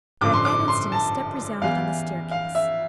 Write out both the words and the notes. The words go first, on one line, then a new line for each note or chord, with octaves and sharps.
But at that instant a step resounded on the staircase.
A1 G2 D3 F3 D6
C6
D6
C6
A5
E2 E3 G3 F5
F5
E5